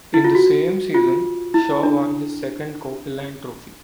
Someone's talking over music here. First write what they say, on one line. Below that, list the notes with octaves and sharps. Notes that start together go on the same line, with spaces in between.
In the same season, Shaw won his second Copeland Trophy.
E4
F4
F#4
F4
E4
D4